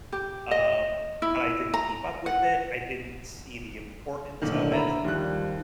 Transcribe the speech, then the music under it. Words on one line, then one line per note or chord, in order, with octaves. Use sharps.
um, but I didn't keep up with it, I didn't see the importance of it,
G4
D#5
E4
A#5
F#5
B1 A2 D3 D#3 A#3
E5 A#5 B5
D#2 D#3 F3 G3 F#6